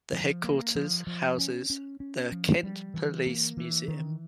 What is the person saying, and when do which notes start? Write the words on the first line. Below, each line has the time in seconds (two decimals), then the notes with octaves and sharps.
The headquarters houses the Kent Police Museum.
0.13 F3
0.44 A#3
0.75 F3
1.07 F3
1.38 C#4
1.70 C#4
2.00 C#4
2.32 F3
2.63 G3
2.94 E3
3.26 A#3
3.57 E3
3.88 D#3